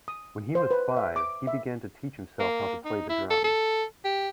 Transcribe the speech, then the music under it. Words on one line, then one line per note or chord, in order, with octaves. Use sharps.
When he was five, he began to teach himself how to play the drums.
D#6
C5
B4
E5
D6
E5
A#3
D#4
E4
A4
A4
G4